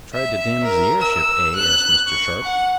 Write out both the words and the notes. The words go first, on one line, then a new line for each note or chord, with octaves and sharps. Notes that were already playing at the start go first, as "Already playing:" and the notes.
"Tried to damage the airship, eh?" asked Mr. Sharp.
E5
A#4
E6
F#6
C#6
F#5